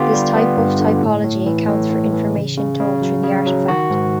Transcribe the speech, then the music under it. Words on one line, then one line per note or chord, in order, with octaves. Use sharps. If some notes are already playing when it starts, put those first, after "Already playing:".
This type of typology accounts for information told through the artifact.
Already playing: D3 B3 F4 G4
G3
B3
G2
D3
A2
A2
E3
A2
A2
E3
C#3
C#3
C#3
F#3
C#3
F#3
D#3 F#4
G#2